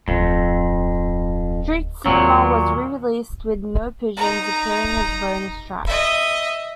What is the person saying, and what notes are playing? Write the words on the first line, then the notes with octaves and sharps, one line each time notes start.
"Street Cinema" was re-released with "No Pigeons" appearing as a bonus track.
D1 F2
D#2 A#2 F#3
D#4 A#5
D#5 E5